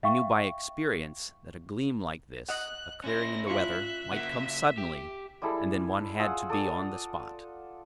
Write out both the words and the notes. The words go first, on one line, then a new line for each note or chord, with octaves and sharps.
We knew by experience that a gleam like this, a clearing in the weather, might come suddenly, and then one had to be on the spot.
E5 F5 G5 C#6
D#5 F#5 F#6
C#4 E4 C5 A#6
F4 E5 C6 C#6 F#6
C#3 A#3 E5 F#5
G4
G3 G#3 E4 A4
F4 G#4 F#5 E6
A4 D5 D#6